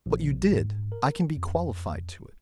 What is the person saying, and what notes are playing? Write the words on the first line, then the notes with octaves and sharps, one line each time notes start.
"But you did, I can be qualified to it."
A#1
G#2
A#4
F2